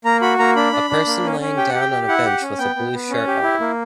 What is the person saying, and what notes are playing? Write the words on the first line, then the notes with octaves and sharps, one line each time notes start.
A person laying down on a bench with a blue shirt on.
A#3 A#5
F#4 B5
A#3 A#5
D4 B5
D4
D4
A#3
C#4
C#4
G4 G5
F#5
G4
G5
G4
E4 F#5
G4
C#4
B3 G5
B3
B3
C#4
G4
E4
A#3